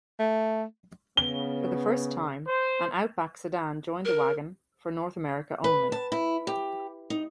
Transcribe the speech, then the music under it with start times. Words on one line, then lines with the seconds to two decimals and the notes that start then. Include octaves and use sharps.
For the first time, an Outback sedan joined the wagon for North America only.
0.20 A3
1.17 C#3 B3 G7
2.48 C5
4.05 A#4
5.64 B4
5.92 A5
6.12 E4
6.47 G4
7.10 D#4